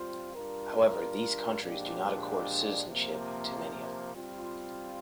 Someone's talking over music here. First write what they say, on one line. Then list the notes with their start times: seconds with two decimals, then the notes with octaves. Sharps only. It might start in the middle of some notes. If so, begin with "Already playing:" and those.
However these countries do not accord citizenship to many of them.
Already playing: G3 C4 F4 C5
0.34 G3 D4 F4 A#4
1.61 A#2 F3 G#3 D4 G4
2.87 C3 F3 A#3
4.14 G3 C4 F4